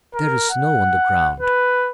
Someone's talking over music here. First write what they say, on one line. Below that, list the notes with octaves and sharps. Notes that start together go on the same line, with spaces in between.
There is snow on the ground.
A#4
F#5
B4